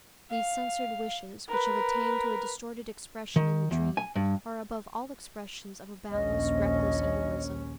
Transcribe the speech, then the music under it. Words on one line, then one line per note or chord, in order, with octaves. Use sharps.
These censored wishes which have attained to a distorted expression in the dream, are above all expressions of a boundless, reckless egoism.
F5
A#4 B4
D#3
E2
G#5
G2
A#1 D#2 C#4 D#5